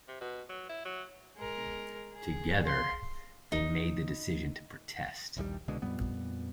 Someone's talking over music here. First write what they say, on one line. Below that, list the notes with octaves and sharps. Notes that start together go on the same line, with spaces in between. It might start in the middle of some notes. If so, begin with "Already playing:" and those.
Together they made the decision to protest.
C3
B2
F#3
E4
F#3
G#3 A#4
G#4
F5 C6
D#4
A#1 D#2 D#3 G3
C2 B2 D3 G#3
F2 A#2 G3 B3